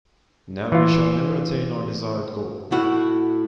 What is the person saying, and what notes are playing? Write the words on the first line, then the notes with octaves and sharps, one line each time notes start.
Now we shall never attain our desired goal.
E3 F4
A2 E4 F#4